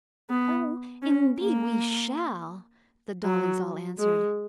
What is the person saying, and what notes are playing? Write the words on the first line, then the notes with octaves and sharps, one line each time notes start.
"Oh, indeed we shall!" the dollies all answered.
B3
C#4
A#3
F#3
G#3